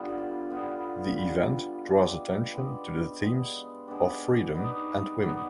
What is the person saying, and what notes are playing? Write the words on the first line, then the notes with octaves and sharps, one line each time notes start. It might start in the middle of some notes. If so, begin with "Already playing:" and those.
The event draws attention to the themes of freedom and women.
Already playing: D3 G3 B3 F4
D3 G3 B3 F4
D3 G3 B3 F4
G#3 B3 D4 G4
G#3 B3 D4 G4
G#3 B3 D4 G4
G#3 B3 D4 G4
B3 D#4 B4 D5
B3 D#4 B4 D5